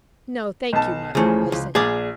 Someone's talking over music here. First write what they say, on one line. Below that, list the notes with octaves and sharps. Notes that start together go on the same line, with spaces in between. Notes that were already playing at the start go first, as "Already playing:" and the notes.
"No, thank you, mother," I said.
B1 A5
C#2 C#3 E3 F3 A3
C#2
A#1 G#4 D5